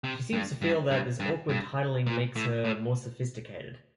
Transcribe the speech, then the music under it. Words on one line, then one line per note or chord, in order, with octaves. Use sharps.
She seems to feel that this awkward titling makes her more sophisticated.
C3
G2
G2
G2
G2
G2
A#2
A2
A2